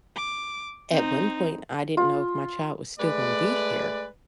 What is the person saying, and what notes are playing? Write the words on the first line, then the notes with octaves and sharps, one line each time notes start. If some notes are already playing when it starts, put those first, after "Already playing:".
At one point, I didn't know if my child was still gonna be here,
D6
C4 D#4
F4
G#3 A3 B4 D5